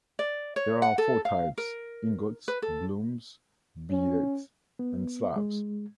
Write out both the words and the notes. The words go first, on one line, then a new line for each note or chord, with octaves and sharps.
There are four types: "ingots", "blooms", "billets", and "slabs".
D5
C#5
F#5
A4
F5
A#4
B4
A4
C#4
B3
G#3